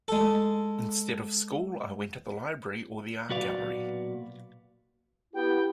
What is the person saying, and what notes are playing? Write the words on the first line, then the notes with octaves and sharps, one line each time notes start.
Instead of school I went to the library or the art gallery.
G#3 A4
B1 A#2 F#4 B4 D5 F5
B3 E4 G4 G5